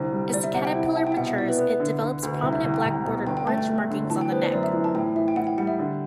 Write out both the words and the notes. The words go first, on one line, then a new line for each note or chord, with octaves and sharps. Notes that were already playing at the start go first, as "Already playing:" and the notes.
As the caterpillar matures, it develops prominent black-bordered orange markings on the neck.
Already playing: C2 D3 C5
G3
G3 D5
E5
C3 F#5
G5
E4
F#5
E4 A5
G5
E5
B2 F#5
E5
E4 D5
B4
B3
D3
D3
D2
C2 E5
E5
C2
G5
C2
B2
G1 G5
G5
A3 A5
G5
A3
D3
E3 A5
G5
B3 C5
D5
F#2 D5
E5
E3
A5
A2 G5
E3 E5
G5
A2 F#5
G5
G3 F#5
E5
D3